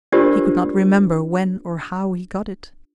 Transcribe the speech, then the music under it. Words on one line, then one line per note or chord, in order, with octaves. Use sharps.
He could not remember when or how he got it.
D4 F4 G4 A#4 C5 D5